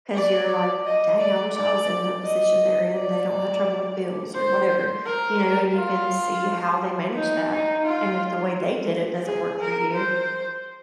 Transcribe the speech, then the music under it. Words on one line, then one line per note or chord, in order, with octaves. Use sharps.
'cause you're like, "Dang, I wish I was in the position they're in. They don't have trouble with bills or whatever." you know, and you can see how they manage that. And if the way they did it doesn't work for you,
D5
D#5
D5
D5
D#5
D5
C5
A#4
F4
D#4
D#4
F4
G#4
A#4
C5